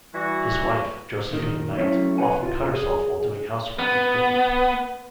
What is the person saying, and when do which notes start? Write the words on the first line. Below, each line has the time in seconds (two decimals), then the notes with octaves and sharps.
His wife, Josephine Knight, often cut herself while doing housework and cooking.
0.14 E3 G3 F#4
1.33 A#2 D#3
1.78 F#3 A3 C#4 E4 C#5
2.18 B4 C#5 F#5 G#5
2.43 F4
2.73 G#4
3.79 B3